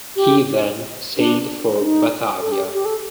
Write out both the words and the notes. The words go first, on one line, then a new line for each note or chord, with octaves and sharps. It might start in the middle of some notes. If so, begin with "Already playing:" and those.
He then sailed for Batavia.
G4
D4
D4
D#4
A4
G4
G4
A4